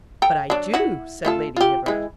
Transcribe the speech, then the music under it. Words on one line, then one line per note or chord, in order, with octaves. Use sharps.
"But I do," said Lady Hibbert.
A4 G5 A#5
F#3 D4
E4 F#4
A3 F4 A4
F4 G4
E3 G#3